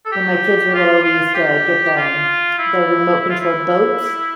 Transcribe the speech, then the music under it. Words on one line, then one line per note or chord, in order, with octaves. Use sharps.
When my kids were little, we used to get the the remote control boats,
A4
G4
F4
F4
G4
F4
E4
E4
F4
E4